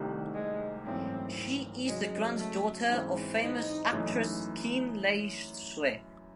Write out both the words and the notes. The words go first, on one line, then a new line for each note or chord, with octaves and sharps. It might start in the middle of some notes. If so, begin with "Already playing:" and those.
She is the granddaughter of famous actress Khin Lay Swe.
Already playing: C2 C3 D#3 A3
G#3
G#1 F#2 E3 A3 C4
F#2 C#3 F#3 G#3
A3
G#2 E3 C4 C#4
D#4
F#2 E3 A3 D#4